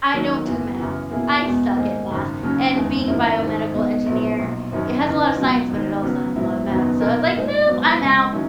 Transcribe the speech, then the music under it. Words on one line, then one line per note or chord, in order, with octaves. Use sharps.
I don't do math, I suck at math, and being a biomedical engineer, it has a lotta science, but it also has a lotta math, so I was like, "Nope, I'm out."
D#2 D#3 F#3
F#1 F#2 E3 B3
F#2 C#3 E3
B2 A#3 E4 G#4
E2 B2 G#3 B3
G#2 D#3 A#3 D#4 G#4
G#1 F#2 C#3
D#2 C#3 F#3 C#4
F#1 E2 D#3 G#3
G#1 F#2 D#3 A#3 E4
G#1 G#2 D#3 G#3
B2 G#3 B3 D#4
A#1 G#2 F#3 B3 E4
B1 A#2 F#3
G#1 F#2 D#3 F#3 C#4
E2 C#3 E3 B3 D#4
C#2 B2 F#3
G#1 G#2 D#3
C#3 F#3 B3
A#1 G#2 F#3 B3 E4
F#1 E2 D#3 F#3 B3
B1 A#2 A#3 D#4 A#4
A#2 G#3 D#4
G#2 F#3 B3
C#2 C#3 G#3
D#3 F#3 C#4 E4